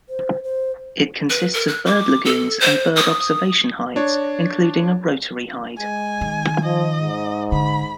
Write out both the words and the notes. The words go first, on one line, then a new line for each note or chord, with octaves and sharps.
It consists of bird lagoons and bird observation hides, including a rotary hide.
C5
C5
B4
A#4
F#6
D6
A4
C5
D#6
D4 C#5
G#3 G#5
D#3
F3 D#5
G#2
D3 B5